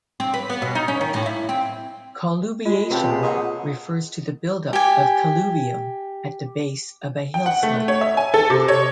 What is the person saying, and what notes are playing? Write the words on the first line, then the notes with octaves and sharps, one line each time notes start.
"Colluviation" refers to the buildup of colluvium at the base of a hillslope.
C4
B4
B3
B2
D#4
C#4
D#3
A2
E4
C4
G#3 F4 F#4
C#2 C3 B4 G5 A5
G#4 B5
A#2 D#5 F#5
G4 G#5
G5
F#5
A3
C#5
E5
G#5
A4
C3
C#5